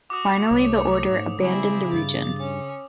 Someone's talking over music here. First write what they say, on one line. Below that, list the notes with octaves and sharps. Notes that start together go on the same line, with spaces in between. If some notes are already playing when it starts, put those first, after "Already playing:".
Finally the order abandoned the region.
F#4 D6 D#6
C2 A3 C#5
G#2
C#3 G3 C4 E4 G#4
G2 A6
C#4